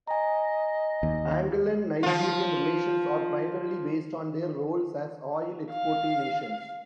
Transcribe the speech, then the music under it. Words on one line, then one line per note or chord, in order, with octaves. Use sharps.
Angolan-Nigerian relations are primarily based on their roles as oil exporting nations.
D#5 G#5 A#5
D#2
F3 F4
F5